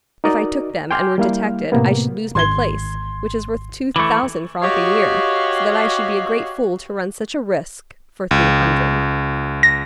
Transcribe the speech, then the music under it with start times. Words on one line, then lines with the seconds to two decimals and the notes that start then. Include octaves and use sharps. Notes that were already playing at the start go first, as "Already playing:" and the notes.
"If I took them, and were detected, I should lose my place, which is worth two thousand francs a year; so that I should be a great fool to run such a risk for three hundred."
0.24 D#4 F#4 A#4 D5 D#5
0.91 G5 G#5 C6 D6 F6 G6
1.18 G3 A#3 E4 F5
1.72 A2 C3 A#3 B3
2.35 G#1 C6 G#6 G7
3.96 E3 A3 C#6 D6
4.62 F#4 G4 C#5 D#5 F5
8.31 C#2
9.63 A#6